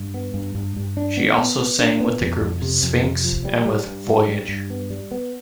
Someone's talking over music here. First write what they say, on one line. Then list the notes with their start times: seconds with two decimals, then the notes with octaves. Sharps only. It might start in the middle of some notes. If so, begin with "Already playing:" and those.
She also sang with the group "Sphinx" and with "Voyage".
Already playing: G2
0.14 B3
0.34 G2
0.55 G2
0.76 G2
0.97 D4
1.17 B3
1.38 B3
1.58 B3
1.79 D4
2.00 B3
2.21 F2
2.42 F2
2.62 C3
2.83 F2
3.03 C3
3.25 F3
3.45 G3
3.66 G3
3.87 G2
4.08 G2
4.28 G3
4.48 G2
4.70 B3
4.90 G3
5.11 B3